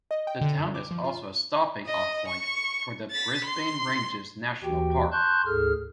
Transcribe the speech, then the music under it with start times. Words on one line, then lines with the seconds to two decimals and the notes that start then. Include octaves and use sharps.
The town is also a stopping off point for the Brisbane Ranges National Park.
0.11 D#5
0.27 G5
0.41 D3
0.58 F#2
0.75 D6
0.91 F3
1.04 F4
1.86 D#5
2.27 C#6
3.11 A6 B6
3.44 C6
4.63 D#2 E3 F#4 G4 G5
5.12 A5 C6 C#6 F#6 G6
5.46 D2 G#2 G#4 A4 F6